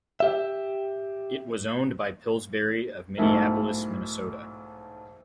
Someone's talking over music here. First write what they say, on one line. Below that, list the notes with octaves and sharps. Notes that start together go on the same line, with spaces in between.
It was owned by Pillsbury of Minneapolis, Minnesota.
G4 E5
B1 G#2 A3 E4 A#4